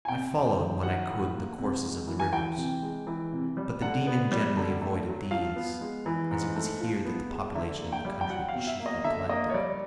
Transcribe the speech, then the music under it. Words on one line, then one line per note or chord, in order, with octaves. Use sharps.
I followed, when I could, the courses of the rivers; but the daemon generally avoided these, as it was here that the population of the country chiefly collected.
G#5
C3 G5
F2
D#3
F#3 F#5
A2
A#3
C3
G#3
E3
G#5
E3 G5
C3
G#3
E3
C3
G3
D3 F#5
B3
G3
D3
A3
F#3
F3 F5
B3
G#3
E3
G#2
A3
F3
B3
G#3
D3 E5
A#3
G5
G3
G5
F#3 F#5
F5
B2
E5
A#3
D#5
D3 E5
A#3 D#5
C#5
G3 D5